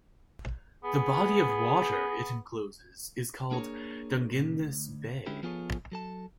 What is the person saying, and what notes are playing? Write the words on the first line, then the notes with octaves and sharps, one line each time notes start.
The body of water it encloses is called Dungeness Bay.
B3 G#4
A#3 D4 G#4 A#4 C#5
A#2 C#3
D2
D3 G#3 C#4 E4 G4
F3 B3 F4 G#4 A4 C#5
F#3 A4 A5